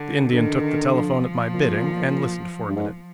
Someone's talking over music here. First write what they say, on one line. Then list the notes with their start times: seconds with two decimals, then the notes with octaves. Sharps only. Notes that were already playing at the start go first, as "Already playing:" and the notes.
The Indian took the telephone at my bidding and listened for a minute.
Already playing: D3
0.32 D3 D#3
0.93 F3
1.54 A#2
2.69 G2
2.76 G#2